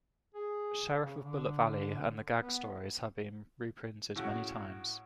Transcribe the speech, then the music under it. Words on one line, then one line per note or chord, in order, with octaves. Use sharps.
"Sheriff of Bullet Valley" and the gag stories have been reprinted many times.
G#4
C#3
D3
B3
A2 C#3 F#4